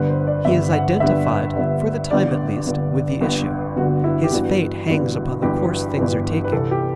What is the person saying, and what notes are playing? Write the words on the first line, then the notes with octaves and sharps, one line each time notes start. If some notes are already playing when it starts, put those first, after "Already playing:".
He is identified, for the time at least, with the issue; his fate hangs upon the course things are taking.
Already playing: G1 G2 D3 B4
C5
D5
G1 G2 D3 E5
F#5
G1 G2 D3 E5
G1 G2 D3
G1 G2 D3 D5
G1 G2 D3
G1 G2 D3
G1 G2 D3 F#4
E4
G4
G1 G2 E3 F#4
G1 G2 E3
G1 G2 E3 G4
G1 G2 E3
B4
C2 C3 E3 A4
G4